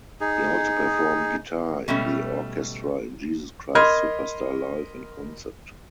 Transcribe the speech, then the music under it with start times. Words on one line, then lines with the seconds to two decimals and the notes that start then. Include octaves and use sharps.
He also performed guitar in the orchestra in "Jesus Christ Superstar Live in Concert".
0.21 D#4 G#4
1.88 B2 G3 A3 C#4
3.75 A#4 D#5 B5 C6 F6 G#6